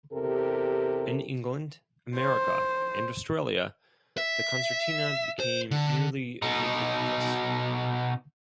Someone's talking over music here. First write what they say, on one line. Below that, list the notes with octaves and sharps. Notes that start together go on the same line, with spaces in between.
In England, America, and Australia the concertina became nearly ubiquitous.
E2 C3 G4 A4 A#4
C5
E5
C5
D3
B2 D#4